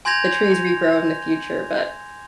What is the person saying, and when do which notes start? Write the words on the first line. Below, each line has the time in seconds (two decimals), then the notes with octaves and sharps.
the trees regrow in the future, but
0.05 G#5 C6 G6 G#6 A#6 F7